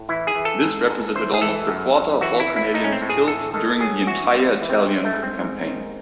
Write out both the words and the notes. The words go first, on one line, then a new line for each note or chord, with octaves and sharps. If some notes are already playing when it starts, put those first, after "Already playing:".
This represented almost a quarter of all Canadians killed during the entire Italian Campaign.
Already playing: A2
E3 E4
G#4
E3
A4
G#2
G#2
E3 C5
G#4
E3 A4
F#2
F#2
E3 F#4
E4
E3
E4
A2 D#4
C#4
C4
A2
G#4
E2 A4
D#3 A4
F#3 G#4
E2 F#4
E3 C4
E3
C4
G#2 C4
A3
G#2
C4
G#2
D#3